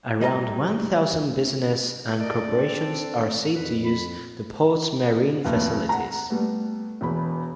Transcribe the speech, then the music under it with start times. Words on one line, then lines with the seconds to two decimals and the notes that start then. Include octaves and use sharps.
Around one thousand businesses and corporations are said to use the Port's marine facilities.
0.21 G3 D#5 A5 A#5
2.20 A4 A#4 D5 D#5
2.45 C4 D4 A4
3.53 F2 B4
3.85 B5
5.45 F1 D#2
5.89 F#5 A#5
6.30 G3 A3 B3
7.01 E1 E2 B5